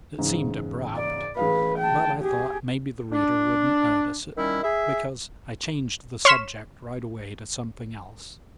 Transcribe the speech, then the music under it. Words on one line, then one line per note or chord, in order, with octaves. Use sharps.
It seemed abrupt, but I thought maybe the reader wouldn't notice it, because I changed the subject right away to something else.
E2 G#2 C#3
D5
A1 G#4 B4 F5
G5 A5
G4 G#4
D4
D#3 G3 C#4 E4
G#4 E5
C#5 C6 C#6 F6 B6 E7